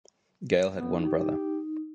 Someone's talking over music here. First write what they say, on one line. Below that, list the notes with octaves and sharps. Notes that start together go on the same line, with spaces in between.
Gale had one brother.
B3
D#4
G4